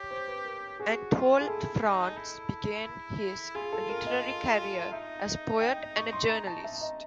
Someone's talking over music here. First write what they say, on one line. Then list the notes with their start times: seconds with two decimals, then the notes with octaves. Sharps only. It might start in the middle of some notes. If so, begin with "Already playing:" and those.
Anatole France began his literary career as a poet and a journalist.
Already playing: G4 C#5
0.11 C5
0.28 B4
0.45 A#4
0.80 F#4 G#4
1.14 F4
1.41 G#4
1.48 E4 A4
1.83 D#4
2.17 E4
3.55 F4 G#4
3.73 A4
3.89 A#4
4.07 D#5
4.92 D#4 E5
5.61 G5
5.96 C#6
6.13 C6
6.29 A#5
6.47 A5
6.64 E5
6.81 D#5